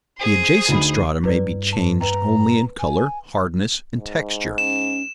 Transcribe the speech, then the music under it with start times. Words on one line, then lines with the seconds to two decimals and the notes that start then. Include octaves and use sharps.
The adjacent strata may be changed only in color, hardness, and texture.
0.19 G#4 C5
0.68 D2 D#4 B5
1.24 G2 E4 B4 D5
1.73 A5
2.01 B4 D#5 G5 A#5
2.79 G#5
3.96 G#2
4.58 C#4 E7